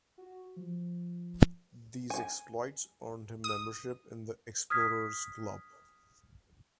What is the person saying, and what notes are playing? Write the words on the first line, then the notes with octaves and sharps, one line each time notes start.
These exploits earned him membership in The Explorers Club.
F#4
F3
G#5
D#6
D#6 F6 G#6 B6